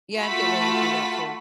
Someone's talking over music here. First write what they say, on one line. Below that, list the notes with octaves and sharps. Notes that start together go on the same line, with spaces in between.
Yeah, I'm getting ready to do that too.
A3 F4 F#4 A5 B5 B6